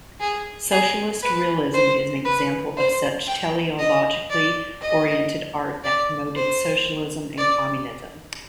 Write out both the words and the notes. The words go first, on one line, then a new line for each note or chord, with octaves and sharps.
Socialist realism is an example of such teleologically-oriented art that promoted socialism and communism.
G#4
G#4
B4
C5
B4
C5
G5
D#5
D5
D#5
D5
C5
D5